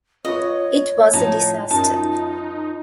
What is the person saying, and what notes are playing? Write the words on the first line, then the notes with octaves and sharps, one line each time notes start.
It was a disaster.
F4 B4 C#5 D#5 C#6
A2 F3 D#4 A5
F#2 D#4 F4 A5